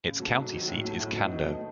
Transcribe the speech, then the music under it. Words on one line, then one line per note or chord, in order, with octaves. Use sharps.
Its county seat is Cando.
C#3
F#3 A3
G#2
D#3 F#3
A2
F#3 A3 E4
A2
F#3 B3 D#4
D#3
A3 D#4